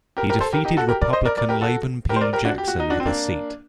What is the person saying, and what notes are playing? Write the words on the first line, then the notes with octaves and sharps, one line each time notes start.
He defeated Republican Laban P. Jackson for the seat.
G4 A#4
G4 A#4
A4 C5
G4 A#4
D#4 G4
F#4 A4
G4 A#4
A#4 D5
C5 D#5
A#4 D5
A#4 D5
G4 A#4
F#4 A4
G4 A#4
C5
A#4 D5
G4 A#4
D4 F#4
G4
F#4
D#4
D4 F#4
C4
A#3 D4